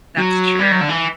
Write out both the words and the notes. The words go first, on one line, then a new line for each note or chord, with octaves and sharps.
That's true.
F#3
G3
F#3
D3
E3